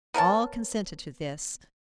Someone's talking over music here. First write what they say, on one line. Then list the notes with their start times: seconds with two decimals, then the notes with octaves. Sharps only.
All consented to this.
0.14 B3 A#4 C#5 A5